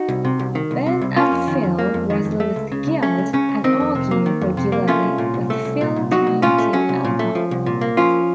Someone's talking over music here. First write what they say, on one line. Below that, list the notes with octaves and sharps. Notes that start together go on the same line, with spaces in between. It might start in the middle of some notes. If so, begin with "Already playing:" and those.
Ben and Phil wrestle with guilt and argue regularly, with Phil turning to alcohol.
Already playing: D#4 F#4
C2
C3
C2
D#3
C2
C3
C2
A#3 C#4 F4
F2
D#3
F2
A#3
F2
D#3
F2
A3
C#2
C#3
C#2
A3 C#4
C#2
C#3 C#4
C#2
D#3 C4 D#4
F2
C3
A#3
D#3
F2
C3
A#3
A3 C#4 F4
C2
A#2
C2
A3
C2
A#2
C2
F#3 D#4 F#4
C2
A#2 C#4 F4
A3
F#3 C#4
C2
A#2
A3
F3
C2
A#2
A#3
F3 C#4 F4